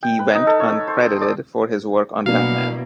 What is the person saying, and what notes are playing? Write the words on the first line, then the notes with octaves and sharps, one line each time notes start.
He went uncredited for his work on "Batman".
G5
B4
D#4
A4
C#5
C5
D5
B2 F#3 A#3 D4 E4 F5